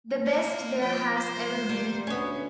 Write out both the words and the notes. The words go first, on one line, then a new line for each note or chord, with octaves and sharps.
The best there has ever been.
A#3
F3 G5
C5
G3 A#3
D2 B3 C#4